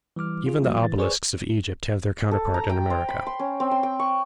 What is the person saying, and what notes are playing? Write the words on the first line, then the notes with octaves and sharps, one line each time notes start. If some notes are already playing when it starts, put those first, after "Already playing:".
Even the obelisks of Egypt have their counterpart in America.
E3 G3 D6 F6
F4 G#4
F3 G3 A#3 F#4
E3 A6
G#4 B4 C5 D5 G#5 C#6
A4
A#5
G5
C5
B5
C6
C#4
C4
C6
G5
C#6